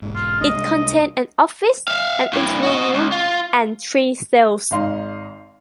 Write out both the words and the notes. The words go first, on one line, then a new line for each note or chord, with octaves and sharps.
It contained an office, an interview room and three cells.
E1 G#2
F4
C2 G#3 D4 D#5
E5 F5
G2 E3
F#4 D#5
C#2
F4
G#1 G#2 D#4 D#5 F5 C6